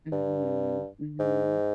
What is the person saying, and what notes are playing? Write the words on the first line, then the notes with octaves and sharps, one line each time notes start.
Mhm, mhm.
G2
G#2